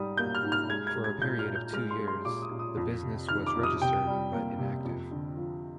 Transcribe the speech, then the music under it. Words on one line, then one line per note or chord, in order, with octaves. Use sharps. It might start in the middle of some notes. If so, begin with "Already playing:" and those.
For a period of two years the business was registered but inactive.
Already playing: G#2 G3 D#6
A#3 G6
F6
G#2
F6
G#3 G#6
G#6
G#3
G#6
A#2 G6
F6
A#2
G6
G#3 F6
C6
G#3
C6
A#2 D6
D#6
A#2
D#6
F2
C3
D#3 F6
D6
F2
D#6
C3 G5
G3
A#3
C3
F2
D3
F3